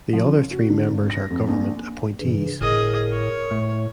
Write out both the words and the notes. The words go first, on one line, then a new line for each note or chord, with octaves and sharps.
The other three members are government appointees.
F3
C#3
F#4
D3
G#1
A#6
F2
A#1
G2 C#3 E3
G1 A2 G#4 A#4 D#5
C#5
A2 A3